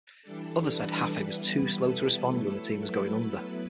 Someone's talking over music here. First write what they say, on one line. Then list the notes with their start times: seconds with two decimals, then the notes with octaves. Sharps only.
Others said Hafey was too slow to respond when the team was going under.
0.23 E3 G3 D4 A4
0.74 B4
1.26 E3 G3 B3 E4
1.78 A4
2.28 F#3 A3 E4 A4
2.81 B4
3.32 F#3 B3 E4